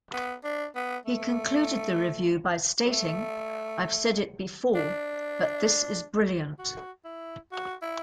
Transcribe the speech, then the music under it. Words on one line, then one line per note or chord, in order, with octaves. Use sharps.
He concluded the review by stating, I've said it before... but this is brilliant.
B3
D4
B3
A3
F#3
A3
D4
F#4
E4
F#4
E4